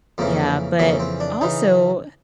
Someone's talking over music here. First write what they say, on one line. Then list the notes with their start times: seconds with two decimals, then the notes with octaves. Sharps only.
yeah. But also
0.18 F2 C#3 E3 A#3
0.79 F2 C#3 E3 A#3
1.00 C4
1.20 D4
1.41 C#3 E3 D#4